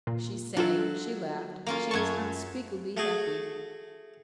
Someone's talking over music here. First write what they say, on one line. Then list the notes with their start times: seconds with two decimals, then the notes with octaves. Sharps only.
She sang, she laughed, she was unspeakably happy.
0.07 A#2
0.57 F#3 D4 F4 A4
1.66 A#3 C#4 F4
1.91 F#2 A5 C#6 G#6
2.97 A3 F#4 G#4